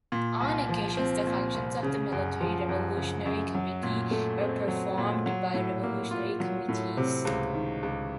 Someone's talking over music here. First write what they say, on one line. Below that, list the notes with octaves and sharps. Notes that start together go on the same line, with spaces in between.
On occasions the functions of the Military Revolutionary Committee were performed by revolutionary committees.
A#2
C2
F3
C4
A#2
C2
C#3
F#2
F3
F#2
C#3
F#2
F#3
A#2
A3
C4
F#3
A#2
F#3
A2
A#3
F4
F#3
A2
C3
C#2
D#3
C#2